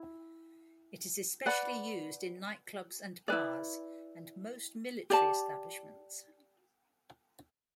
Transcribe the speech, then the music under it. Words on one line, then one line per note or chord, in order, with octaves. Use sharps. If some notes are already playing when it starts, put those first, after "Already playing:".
It is especially used in nightclubs and bars, and most military establishments.
Already playing: E4
B4 D5 F#5 B5
E4 B4 D5
G4 D5 A5